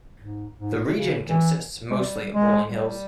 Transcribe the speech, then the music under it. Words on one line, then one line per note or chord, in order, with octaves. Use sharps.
The region consists mostly of rolling hills.
G#2
G#2
C#3
E3
G#3
G3
G#3
G3